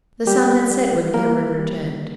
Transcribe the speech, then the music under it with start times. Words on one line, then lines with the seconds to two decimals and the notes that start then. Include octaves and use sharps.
The sun had set when Cameron returned.
0.27 G3 G4
0.71 G3
1.14 G3 A#3 A#4
1.59 G3